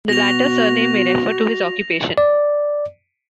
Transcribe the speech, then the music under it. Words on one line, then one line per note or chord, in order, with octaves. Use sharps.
The latter surname may refer to his occupation.
B2 F#4 A#6 F7
D5